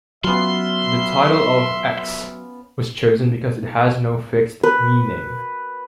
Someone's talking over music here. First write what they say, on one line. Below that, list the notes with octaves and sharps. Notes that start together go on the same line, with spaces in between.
The title of "X" was chosen because it has no fixed meaning.
F#3 B3 C#4 F4 E5 C6
B4